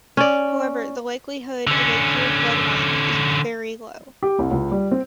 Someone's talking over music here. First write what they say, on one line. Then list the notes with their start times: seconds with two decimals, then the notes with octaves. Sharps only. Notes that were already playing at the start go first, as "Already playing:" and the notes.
However, the likelihood of a pure bloodline is very low.
0.17 C#4 D5
1.67 D3 C#4
4.23 G4
4.39 C2
4.51 C#2
4.71 G3
4.91 C4